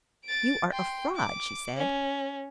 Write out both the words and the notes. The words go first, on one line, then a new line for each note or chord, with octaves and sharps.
"You are a fraud," she said.
A6 D7
G5 C6
D6
C#4